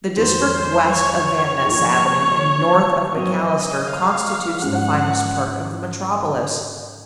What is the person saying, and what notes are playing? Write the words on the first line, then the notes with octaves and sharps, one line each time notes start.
The district west of Van Ness Avenue and north of McAllister constitutes the finest part of the metropolis.
F2 D#3 G#3 C4 F#4 C5
C#5
F3 A#3 D#4 G#4
F#3 C4 F#4 A#4 D#5
F5
G#2 F3 G#3 C#4 G#4 F#5